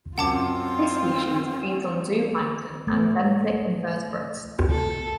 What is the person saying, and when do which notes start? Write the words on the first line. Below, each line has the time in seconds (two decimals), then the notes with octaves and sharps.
This species feeds on zooplankton and benthic invertebrates.
0.18 F#2 C4 F4 F#5 A5 D6
2.87 A3
4.70 A4